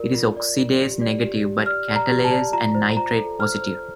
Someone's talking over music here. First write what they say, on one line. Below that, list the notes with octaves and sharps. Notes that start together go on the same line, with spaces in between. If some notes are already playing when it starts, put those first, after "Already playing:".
It is oxidase-negative but catalase- and nitrate-positive.
Already playing: F4 A#4 D5
F4
D5
F4
G4
D5
G4
G4
D5 F6
D5
A#5
G4
A5
D5
F4 A#5
C5
F4 A#5
A4
C5 F6
C5